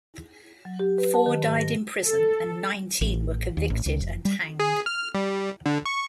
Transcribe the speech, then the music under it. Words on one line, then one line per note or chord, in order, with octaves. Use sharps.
Four died in prison and nineteen were convicted and hanged.
F#3
G4
B4
A5
D#3
G#2
A#6
A4
A1
D#2
A1
C#2
F1
G3
G#4
F6
G3
D3
C#6